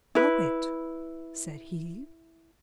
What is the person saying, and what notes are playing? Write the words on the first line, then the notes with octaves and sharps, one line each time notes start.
"Owe it?" said he.
E4 B4